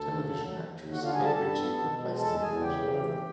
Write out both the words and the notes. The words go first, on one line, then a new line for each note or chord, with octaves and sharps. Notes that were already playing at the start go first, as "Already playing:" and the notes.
Television actress Kate Ritchie replaced him at Nova.
Already playing: D2 A4 A5
C#3
F#3
D#2
D#2
D3 F#4 F#5
F4 F5
G3 G#4 G#5
A4 A5
G2 A4 A5
B3
B2
G#3
E2 A4 A5
E2 G#4 G#5
C#3 G4 G5
E3
D#2